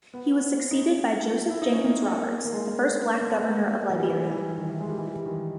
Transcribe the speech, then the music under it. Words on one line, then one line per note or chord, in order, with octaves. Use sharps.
He was succeeded by Joseph Jenkins Roberts, the first black governor of Liberia.
B3
D#4
C#4
E4
D#4
C#4
A#3
A#3
G#3
A#3
B3
A#3
E3
G3
E3
G3
E3
D#3
E3
G#3
G3
E3
G3
D#3